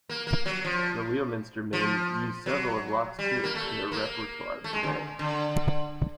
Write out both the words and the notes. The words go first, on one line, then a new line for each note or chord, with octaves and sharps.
The Leominster men use several of Locke's tunes in their repertoire today.
A#3
A#3
F#3
F3
F3
F#3
G3
A#3
A3
A#3
A3
G#3
D3
D3